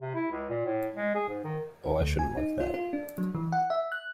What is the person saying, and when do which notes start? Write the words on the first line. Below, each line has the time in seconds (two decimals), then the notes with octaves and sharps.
Oh, I shouldn’t like that!
0.02 C3
0.14 E4
0.31 C#2
0.49 A#2
0.65 A2
0.95 G#3
1.15 G#4
1.29 G#2
1.44 D#3
2.01 D2
2.19 G#5
2.37 D#4
2.60 F4
2.74 F4
2.93 D4
3.18 F#3
3.35 E3
3.52 F#5
3.70 E5
3.92 F#6